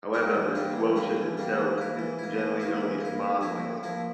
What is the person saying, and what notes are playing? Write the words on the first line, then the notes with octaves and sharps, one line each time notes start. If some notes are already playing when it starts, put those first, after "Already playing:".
However this quotient itself is generally only a monoid.
G3 A#3 D4
E3
G3 A#3 D4
E3
G3 A#3 D4
E3
G3 A#3 D4
E3
A#3 E4
E3
A#3 E4
E3
A#3 E4
E3
A#3 E4
A2
F3 A#3 E4
A2
F3 A#3 E4